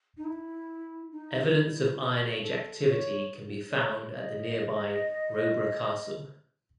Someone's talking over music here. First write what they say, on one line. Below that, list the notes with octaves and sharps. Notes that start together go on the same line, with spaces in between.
Evidence of Iron Age activity can be found at the nearby Roborough Castle.
D#4
E4
D#4
E4
F#4
A4
C#5
C#5
D#5